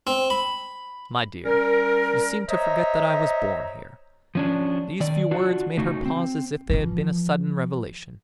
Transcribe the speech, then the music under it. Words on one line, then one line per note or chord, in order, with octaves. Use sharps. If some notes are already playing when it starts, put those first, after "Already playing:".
"My dear, you seem to forget that I was born here." These few words made her pause as if they had been a sudden revelation.
C4
B5
G3 C#4 A#4
C5 C#5 D#5 E5 A#5
F3 C#4 D4
D#3 D5
D4 F4 F#4
C#3 A3 D#4 F#4
C4
E3 F3